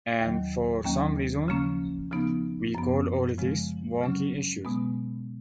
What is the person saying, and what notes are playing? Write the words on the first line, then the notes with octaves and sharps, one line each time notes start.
And for some reason we call all these 'wonky issues.
D#2 D#3 F#3
D#2 D#3 F#3 A#3 C#4
C#3 F3 A#3 C#4
C#3 F3 B3 D#4
F#2 F3 B3
C#3 F3 G#3
C#3 F#3 C#4
B2 G#3 B3